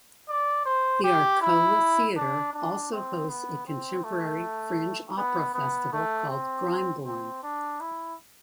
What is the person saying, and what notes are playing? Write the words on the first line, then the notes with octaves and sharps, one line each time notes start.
The Arcola Theatre also hosts a contemporary fringe opera festival called 'Grimeborn'.
D5
C5
G4
E4
D4
D4
C4
B3
C4
A3
B3
B3
A3
C4
C4
D4
E4